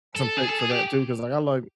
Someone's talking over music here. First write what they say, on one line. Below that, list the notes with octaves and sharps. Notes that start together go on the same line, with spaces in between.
some tech for that too, 'cause, like, I like
A4
G#4
A4
G#4
G4